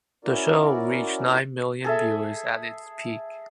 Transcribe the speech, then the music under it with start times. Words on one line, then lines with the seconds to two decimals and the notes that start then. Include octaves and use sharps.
The show reached nine million viewers at its peak.
0.25 C#4 E4 F#4 A#4 D5
1.84 G#4 A4 E5